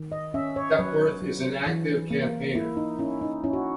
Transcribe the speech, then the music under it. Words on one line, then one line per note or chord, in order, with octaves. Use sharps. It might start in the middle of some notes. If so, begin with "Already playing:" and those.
Duckworth is an active campaigner.
Already playing: D#3
D#5
C#4 E5
C#5
F#3 B4
F#3
E3
A#3
A#3 E4
D#4
C#4 E4
D#4
C#4 E4
F#4